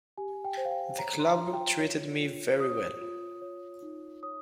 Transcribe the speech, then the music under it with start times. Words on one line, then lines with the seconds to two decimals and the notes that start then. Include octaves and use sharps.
The club treated me very well.
0.18 G4 G#5
0.45 G5
0.57 C5
0.65 F5
0.71 G5
0.98 C#5 A#5
1.19 C6
1.26 A#5
1.39 F4
1.53 G5
1.80 C#5
2.21 F4
2.60 C#5 D#6
3.02 F4
3.42 C#5
3.82 D#4
4.23 C#5 D#6